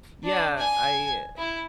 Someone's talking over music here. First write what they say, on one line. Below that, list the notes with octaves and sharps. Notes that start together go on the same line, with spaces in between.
Yeah, I
D4
G#5
E4